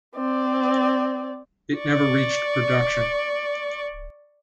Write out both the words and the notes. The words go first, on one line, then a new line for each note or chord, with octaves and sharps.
It never reached production.
C4 D5
D5 C#6